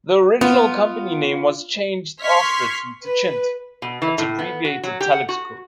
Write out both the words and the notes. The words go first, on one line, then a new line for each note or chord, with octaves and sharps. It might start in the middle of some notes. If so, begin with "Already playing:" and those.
The original company name was changed after to "Techint", its abbreviated telex code.
B3 F4
C6 C#6 F6 G#6 B6
B4
B2
E3
A2
B3
F#4
F#3
G4
F#5
F#4